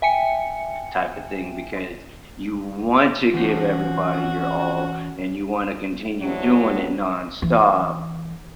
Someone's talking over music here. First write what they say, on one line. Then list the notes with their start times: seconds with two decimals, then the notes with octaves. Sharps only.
type of thing because you want to give everybody your all, and you wanna continue doing it nonstop
0.02 E5 G5 G#5 C#7
3.34 E3 C#4 F#4 C5
6.21 G2 C3 E3 F#3 G3 A3
7.42 E3